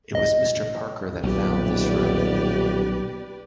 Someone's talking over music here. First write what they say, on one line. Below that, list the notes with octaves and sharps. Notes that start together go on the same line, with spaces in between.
It was Mr. Parker that found this road.
D#5
D#1 B1 G4 B4 D5